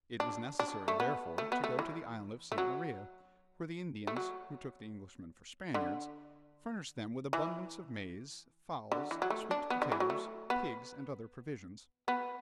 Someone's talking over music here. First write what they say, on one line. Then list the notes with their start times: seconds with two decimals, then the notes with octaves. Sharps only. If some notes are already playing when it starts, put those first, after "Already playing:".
It was necessary therefore to go to the island of St. Maria, where the Indians, who took the Englishmen for Spaniards, furnished them with abundance of maize, fowls, sweet potatoes, pigs, and other provisions.
0.20 D4
0.59 D4
0.88 A3
1.00 B3
1.38 A3
1.52 B3
1.64 A3
1.79 E3
2.52 A3
2.58 F#3
4.07 A3
4.17 F#3
5.74 D3
7.33 E3
8.92 D3
9.11 E3
9.22 F#3
9.30 A3
9.51 D4
9.70 B3
9.82 D3
9.92 E3
10.00 F#3
10.10 A3
10.50 B3
12.08 B3